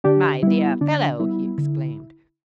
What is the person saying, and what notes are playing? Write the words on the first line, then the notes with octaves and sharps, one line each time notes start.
"My dear fellow!" he exclaimed.
D3 D4 G4
G3 B3 E4
D3 D4
G3 B3 E4
D3